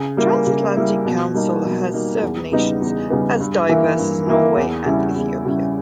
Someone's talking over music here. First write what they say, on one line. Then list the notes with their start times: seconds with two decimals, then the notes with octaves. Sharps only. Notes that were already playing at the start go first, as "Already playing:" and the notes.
Transatlantic Council has served nations as diverse as Norway and Ethiopia.
Already playing: C#3
0.17 G3 A#3 E4
0.47 C#3
0.76 G3 A#3 E4
1.06 B2
1.34 G3 A#3 D#4
1.65 B2
1.93 G3 A#3 D#4
2.22 E2
2.52 C#3 G3 B3 D#4
2.82 E2
3.10 C#3 G3 B3 D#4
3.40 G2
3.69 E3 A#3 E4
3.99 G2
4.27 E3 A#3 E4
4.57 E2
4.86 C#3 G3 C#4 E4
5.16 E2
5.45 C#3 G3 C#4 E4